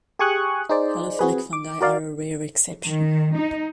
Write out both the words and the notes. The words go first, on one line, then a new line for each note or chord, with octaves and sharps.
Halophilic fungi are a rare exception.
G4 G#4 G#5 C#6 D#6 F#6
D#4 G#4 C5 D5
C4 F#4 G#4 B4
D6
F#4 A#4 D5 F5
D#3
D#4